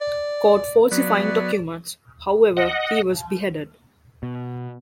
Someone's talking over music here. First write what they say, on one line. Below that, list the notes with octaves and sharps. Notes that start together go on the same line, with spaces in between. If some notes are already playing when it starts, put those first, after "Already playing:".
Caught falsifying documents, however, he was beheaded.
D5
F#3 B3 D5
D#5 F#5
B2